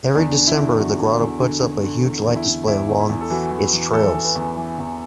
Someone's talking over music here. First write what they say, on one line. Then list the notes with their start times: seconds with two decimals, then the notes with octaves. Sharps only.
Every December The Grotto puts up a huge light display along its trails.
0.15 E2 D4
0.37 D3
0.47 E4
0.57 D3
0.78 E2 F#4
1.00 D3
1.21 E2
1.41 D3
1.62 D3
1.83 D3
2.04 E2
2.26 E2
2.36 E4
2.47 D3
2.67 E2 E4
2.89 E2
3.00 E4
3.10 E2
3.21 A4
3.30 E3 F#4
3.52 E3
3.73 E3
3.93 E3 A4
4.14 E3
4.25 B4
4.36 E2
4.56 E3
4.78 E2